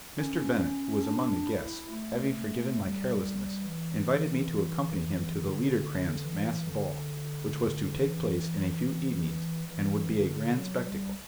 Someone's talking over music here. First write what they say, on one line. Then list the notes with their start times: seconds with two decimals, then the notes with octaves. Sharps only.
Mr. Bennett, who was among the guests, having forgiven my carelessness, invited me to accompany him to the Liederkranz masked ball, which was to take place in a few evenings, and would be a grand spectacle.
0.17 C#4
1.04 D4
1.47 E4
1.90 A3
2.76 G3
3.63 E3
5.35 D3
6.22 E3
6.65 D3
7.95 E3
9.67 E3
10.11 D3
10.54 F#3
10.83 G3